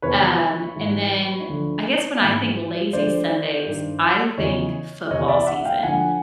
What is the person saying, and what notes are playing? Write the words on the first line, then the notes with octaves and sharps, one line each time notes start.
Um, and then I guess when I think lazy Sundays, I think football season.
E2 C3 D#3 B4 C#5
G#2 E3
D2 D3 F3
G#2 E3
D2 D3 F3 C5 D5
G2 D#3
E2 C#3 E3 C#5 D#5
E2 C3 E3 C#5 D#5
D5 E5
E5 F#5
F5 G5
D2 D3 F3 F#5 G#5